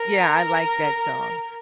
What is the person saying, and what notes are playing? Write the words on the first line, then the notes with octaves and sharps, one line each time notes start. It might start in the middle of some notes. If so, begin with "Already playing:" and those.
Yeah, I like that song.
Already playing: A#4